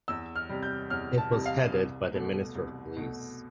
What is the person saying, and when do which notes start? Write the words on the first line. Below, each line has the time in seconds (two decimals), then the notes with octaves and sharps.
It was headed by the Minister of Police.
0.08 E2 E6
0.36 F6
0.49 C3 G3
0.63 G6
0.90 E2 F6
1.18 A5
1.31 C3 G3
1.46 F5
1.72 C2
2.14 B2 A3
2.55 C2
2.97 B2 A3